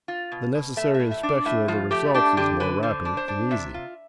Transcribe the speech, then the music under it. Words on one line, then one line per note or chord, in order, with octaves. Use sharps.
The necessary inspection of the results is more rapid and easy.
F4
B2
B2
A3 E5
E5
A2
E5
D4
D5
A2 E5
F3 F4
A3 G4
D4 G4
D3 G4
D3 B4
D3 C5
D4
C5
D4
C3 E5
F4